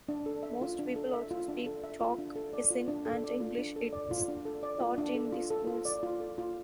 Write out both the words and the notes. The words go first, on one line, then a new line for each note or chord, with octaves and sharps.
Most people also speak Tok Pisin, and English is taught in the schools.
D4
A4
E5
F4
D4
A4
E5
F4
D4
A4
E5
F4
D4
A4
D5
F4
D4
A4
D5
F4
D4
A4
D5
F4
D4
A4
D5
F4
D4
A4
F4
A4
F4
D5
F4
A4
F4